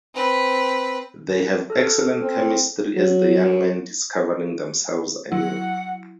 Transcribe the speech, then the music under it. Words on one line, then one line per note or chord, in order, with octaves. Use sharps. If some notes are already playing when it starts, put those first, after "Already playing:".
They have excellent chemistry as the young men discovering themselves anew.
C4 B4
A4 F6
C4
F#3
F#3 E4 F#5